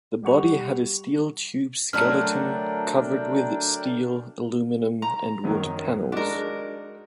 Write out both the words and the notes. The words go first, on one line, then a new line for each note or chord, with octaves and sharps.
The body had a steel tubes skeleton, covered with steel, aluminum and wood panels.
G3 G4 F#5 C#6 F7
D3 F#3 A3 D4 A#4 G5 F6
A#5
F#2 D#3 F#3
G#3 D4 D#4 F#4 A#4